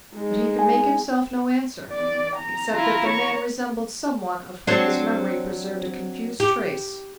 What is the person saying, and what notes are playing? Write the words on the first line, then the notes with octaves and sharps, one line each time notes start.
But he could make himself no answer, except that the man resembled some one of whom his memory preserved a confused trace.
G#3 D#4
G#5
D5
A#5
E4 F4
C#5 C#6
F#3 C4 D4
G4